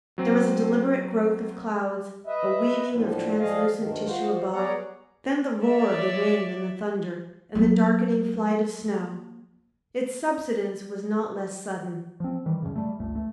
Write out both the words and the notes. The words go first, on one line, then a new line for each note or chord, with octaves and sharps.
There was a deliberate growth of clouds, a weaving of translucent tissue above, then the roar of the wind and the thunder, and the darkening flight of snow. Its subsidence was not less sudden.
F#3 C4
B4 D#5 E5
A2 D3 F3 G3
F3 G3 G#4 D#5 F5
D2 G2 D#3
F4 F#4 C5
B3 G#4 C#5 D5 F#5 A#5
C#5 D5 E5
F#3 A#3
F3 C4
D#3 E3 G3
F#2 C#3
G3 A3
G1 C#2 G2 A3
A3